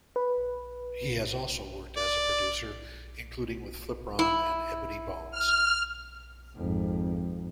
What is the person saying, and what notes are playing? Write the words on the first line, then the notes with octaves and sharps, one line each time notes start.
He has also worked as a producer, including with Flipron and Ebony Bones.
B4
D5
E4
F6
G#1 F2